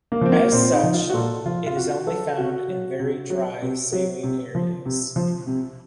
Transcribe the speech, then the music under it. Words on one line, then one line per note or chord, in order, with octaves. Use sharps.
As such, it is only found in very dry saline areas.
A#3
F3 C4
A#3
A#2 C4
D#4
F3
F4
F#4
A#2 A4
F3 F4
F4
C3 F#4
F#3 A4
C3 F#4
F#3
C3
F#3
C3
F#3
C3
F3
C3
F3
C3